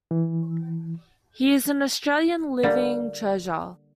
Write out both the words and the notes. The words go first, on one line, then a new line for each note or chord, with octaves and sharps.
He is an Australian Living Treasure.
E3
D3 G3 A#3